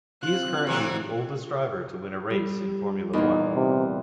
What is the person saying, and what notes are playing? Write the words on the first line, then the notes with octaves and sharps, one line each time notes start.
He is currently the oldest driver to win a race in Formula One.
C4 F4 F#6
C3 E3 F#3
G3
E2 A#2 D#4
C3